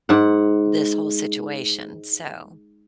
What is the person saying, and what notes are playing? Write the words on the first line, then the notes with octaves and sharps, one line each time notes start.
this whole situation, so
G#2 F#5